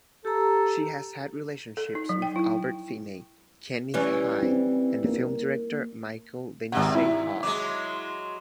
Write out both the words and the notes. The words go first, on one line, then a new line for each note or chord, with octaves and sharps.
She has had relationships with Albert Finney, Kenneth Haigh, and film director Michael Lindsay-Hogg.
G4 A4 A#5
A4
D#4
F#3
G5
E4
E3 G3 C#4
C4
A#3
G#1 C3 F#5
E4
F#3 G#3 D6